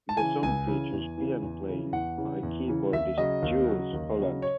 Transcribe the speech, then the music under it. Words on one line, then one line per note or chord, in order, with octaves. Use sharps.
The song features piano playing by keyboardist Jools Holland.
A5
C#3 E3 G#5
C#2 G#5
C#3 E3
E2
C#3 E3
E2
C#3 E3
E2 F#5
C#3 E3
E2
C#3 E3
D#2 E5
C#3 F#3 D#5
D#2
C#3 F#3
D#2
C#3 F#3
C#5